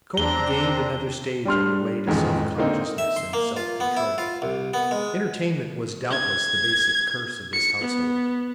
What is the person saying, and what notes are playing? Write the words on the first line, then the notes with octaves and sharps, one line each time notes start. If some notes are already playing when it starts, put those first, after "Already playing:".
Cope gained another stage on the way to self-consciousness and self-control. Entertainment was doubtless the basic curse of this household.
E2 C4 D4 A#5 G7
G3 D4 C6 F6
A1 F2 G#2 D#3
D3 A#3 C4 D#4
E5
C6
A#3
F4
B3
E4
F4
C2
B3
G#3
G#6
C#7
B3